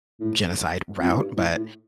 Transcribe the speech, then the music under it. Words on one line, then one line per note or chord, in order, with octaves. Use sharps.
genocide route, but
A2
F2
A2
G2
A2
A2